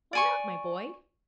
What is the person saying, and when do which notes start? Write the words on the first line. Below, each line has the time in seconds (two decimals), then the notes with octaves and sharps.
"Why not, my boy?"
0.13 D5 G#5 C#6